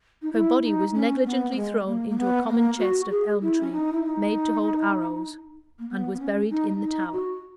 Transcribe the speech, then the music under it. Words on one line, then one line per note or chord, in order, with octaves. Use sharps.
Her body was negligently thrown into a common chest of elm-tree, made to hold arrows, and was buried in the Tower.
D#4
E4
D#4
C#4
B3
A#3
G#3
A#3
A#3
B3
A#3
F#4
G#4
E4
C#4
D#4
E4
D#4
A#3
B3
B3
C#4
D#4
D#4
F#4